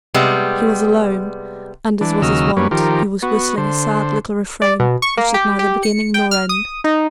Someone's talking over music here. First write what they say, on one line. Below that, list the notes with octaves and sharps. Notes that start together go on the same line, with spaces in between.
He was alone, and, as was his wont, he was whistling a sad little refrain which had neither beginning nor end.
C3 G3 G#3 B3
E3 D4
D#2 C#3 F#3 D#5 E6 F6
F#2 G3 A#3 B4 C#5
D#3 F3 G4 A#4
B3 F#4
D3 C5
D5
B2
C#6
A#3
G4
G4
C#7
G5
F6
D#6
D#4